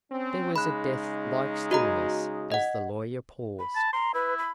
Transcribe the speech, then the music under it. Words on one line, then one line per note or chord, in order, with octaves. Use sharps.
There was a death-like stillness as the lawyer paused.
C4 C#4
C#3 G#3 D#4 B5 F#6
F#4 D#5 A#5
D#5 F#5
B5
A5
A#5 C6
E4 B4
B5